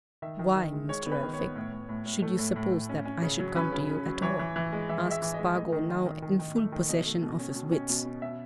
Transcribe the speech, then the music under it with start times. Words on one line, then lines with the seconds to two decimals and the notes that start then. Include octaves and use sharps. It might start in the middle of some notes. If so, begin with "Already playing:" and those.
"Why, Mr. Elphick, should you suppose that I should come to you at all?" asked Spargo, now in full possession of his wits.
0.22 D#3 E5
0.39 D#3
0.56 D#3
0.73 G#3
0.89 G#3 C#5
1.06 B3
1.12 B4
1.23 D#3
1.34 C#5
1.39 B3
1.56 A2
1.73 A2
1.89 A2
2.06 A2
2.22 A3
2.39 A2
2.56 A2
2.72 A2
2.89 C#4
3.05 C#4
3.22 C#3
3.39 F#3
3.56 C#4 B4
3.72 C#3
3.89 C#3
4.06 F#3
4.22 E3 C#5
4.39 E3
4.56 E3
4.73 G#3
4.89 E3 E5
5.05 G#3
5.11 E5
5.22 E3
5.34 D#5
5.39 G#3
5.55 A3 D#5
5.72 D#3
5.89 D#3
6.06 D#3
6.22 D#3
6.39 D#3
6.55 A3
6.72 D#3
6.89 B2 D#5
7.06 A3
7.22 B2
7.39 C#4
7.55 B2
7.72 C#4
7.89 B2
8.06 C#4
8.22 B2 E5